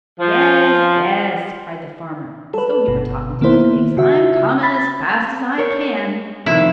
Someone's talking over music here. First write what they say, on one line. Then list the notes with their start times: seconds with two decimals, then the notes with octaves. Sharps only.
"Yes, yes!" cried the farmer, as though he were talking to the pigs. "I'm coming as fast as I can."
0.19 F3
2.54 A4 B4
2.88 G1 B2
3.41 D#3 A#3 B3 E4 C5
3.97 C#3 F#4 E5
4.63 B5 A6 B6
5.58 A#4 C#5
6.46 F2 C3 D#3 E4